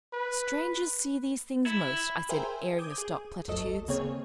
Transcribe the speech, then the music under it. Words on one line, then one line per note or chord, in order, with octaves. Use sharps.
'Strangers see these things most,' I said, airing the stock platitudes.
B4
E4
G#4 A#4 C5 E5 G5 G#5
D6 D#6 G6 G#6
G#4
G1 D2 F#3 A4 D#5
C#3 A#3 C4 G#4 C#5